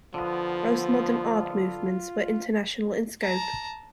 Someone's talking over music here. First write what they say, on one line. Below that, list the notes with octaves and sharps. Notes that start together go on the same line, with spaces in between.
Most modern art movements were international in scope.
D3 F3 B3 F4
A5 A#5